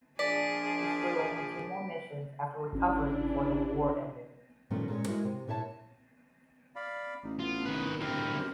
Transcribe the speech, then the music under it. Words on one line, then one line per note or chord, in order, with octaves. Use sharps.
He flew only two more missions after recovering before the war ended.
A#1 F3 D4 G#4 D5 B6 D7
G#1 E3 C#4 D4 E4
G2 A#2 D#3 F3 A3 C#4
A#2 G#3 C#4
G#3 E4 F#4 A#4
C3
A#2 E4 C#5 E5 A5
D5 F5 B5
A1 D#4
B3 F4
D#3 B4
D2 C4 E4 G4 A#4
F#2 G4 A#4 C5